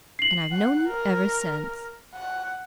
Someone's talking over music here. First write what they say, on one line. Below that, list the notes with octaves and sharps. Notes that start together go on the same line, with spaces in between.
"And I've known you ever since."
C7 F#7
F#5
A#4
F#5